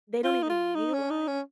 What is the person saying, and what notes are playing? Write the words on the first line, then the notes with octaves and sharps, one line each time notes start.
they don't even realize
F4
D#4
F4
D#4
C#4
D#4
C#4